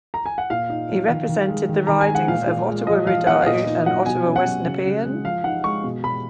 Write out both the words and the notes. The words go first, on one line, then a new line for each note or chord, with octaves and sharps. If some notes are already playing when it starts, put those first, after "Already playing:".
He represented the ridings of Ottawa-Rideau and Ottawa West-Nepean.
A#5
G#5
F#5
A#2 F5
D#4
F3
D#3
D#3
G#3
D#3
D#3 A#5
G#5
G#3
F#5
A#2 F5
A#2
G#3
F3 D#5
F3 F5
B3 F#5
F5
A#2 D#5
D#4
F#3 F#5
B2 G#5
C#4
F#5
F#3
C#3
C#3
G#3
F3 F5
D#4 F#5
G#3 C#6
B2
B2 B5